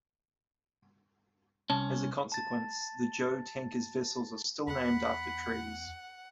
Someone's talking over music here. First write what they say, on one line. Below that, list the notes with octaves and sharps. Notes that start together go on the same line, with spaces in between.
As a consequence the Jo Tankers' vessels are still named after trees.
C2 C#4 A5
A5 A6
E2 F#5 B5